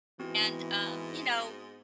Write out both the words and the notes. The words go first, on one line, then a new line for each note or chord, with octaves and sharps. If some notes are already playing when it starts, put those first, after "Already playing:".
and, um, you know
G#2 E3 B3 C4 F#4